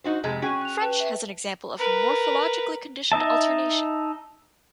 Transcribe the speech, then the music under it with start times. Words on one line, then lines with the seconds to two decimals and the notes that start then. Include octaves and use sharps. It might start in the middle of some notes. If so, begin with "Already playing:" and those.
French has an example of morphologically conditioned alternation.
0.04 D#4 F#4 C5
0.24 F2 C3 G#3
0.42 C#4 F#4 G#4 G5 D#7
0.61 F#6 F7
0.81 B4 G5 A5
1.00 E5
1.78 A#4 B4
3.12 D#4 D#5 E5 A5